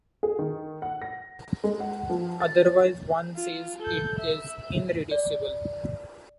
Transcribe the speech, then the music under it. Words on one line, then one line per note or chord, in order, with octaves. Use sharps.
Otherwise one says it is irreducible.
G#4
D#3
F#5
A#6
G#3
F#5
F3
A6
C#5
F4
A4 G6
E5
D5